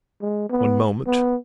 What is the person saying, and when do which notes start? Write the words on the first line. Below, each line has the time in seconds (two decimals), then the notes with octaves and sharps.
One moment.
0.22 G#3
0.50 B3
1.06 B3